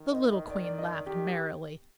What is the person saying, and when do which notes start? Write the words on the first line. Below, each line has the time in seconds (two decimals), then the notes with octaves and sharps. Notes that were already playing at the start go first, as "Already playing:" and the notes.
The little Queen laughed merrily.
Already playing: D#3
0.12 D#5
0.31 D#5
0.50 D5
0.64 D5
0.78 D#5
0.92 D5
1.06 D#3 G4